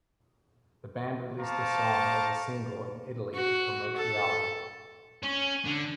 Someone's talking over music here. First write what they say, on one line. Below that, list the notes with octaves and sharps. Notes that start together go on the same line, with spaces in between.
The band released the song as a single in Italy to promote the album.
C5 F5 A5 A#5 C#6 D6
F#4
A4
C#4
D3